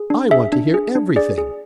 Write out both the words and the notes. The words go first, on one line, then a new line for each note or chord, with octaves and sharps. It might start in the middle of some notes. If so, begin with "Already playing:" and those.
"I want to hear everything."
Already playing: G#4
D4
G#4 E5
D4
G#4
D4
G#4 D5
G#4